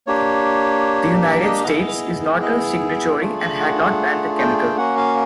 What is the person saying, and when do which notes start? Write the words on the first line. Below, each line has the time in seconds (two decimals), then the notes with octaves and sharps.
The United States is not a signatory and has not banned the chemical.
0.07 A#3 D4 G4 C#5
1.25 D5
1.44 D#5
1.64 B3 E4 G#4 D#5
2.42 D#5
3.21 A3 D4 F4 G#4
3.60 F#5
4.38 G5
4.58 G5
4.77 A#3 C#4 F#4 F#5
4.97 F5